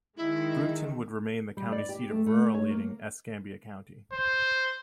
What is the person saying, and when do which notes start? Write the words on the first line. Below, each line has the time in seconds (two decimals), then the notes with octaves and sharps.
Brewton would remain the county seat of rural-leaning Escambia County.
0.17 D#3 G#3 E4
1.57 G3
1.72 D5
1.89 G4
2.10 A3
2.27 A3
2.54 C#5
2.70 A#3
4.13 C5